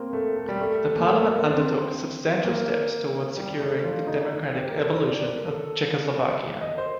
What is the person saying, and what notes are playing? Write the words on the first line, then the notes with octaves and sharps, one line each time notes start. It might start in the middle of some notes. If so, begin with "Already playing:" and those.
The parliament undertook substantial steps toward securing the democratic evolution of Czechoslovakia.
Already playing: A#3 C4
A3
A3
G3
A3
A#3
A3
A#3
A#3
D4
C4
A#3
G3
A3
F4
D#4
G4
A#4
A4
C5
D5
A#4
A4
D#5
C5